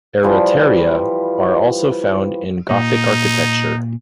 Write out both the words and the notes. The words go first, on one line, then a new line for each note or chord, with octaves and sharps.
Acroteria are also found in Gothic architecture.
E3 F3 G3
A#2 D#4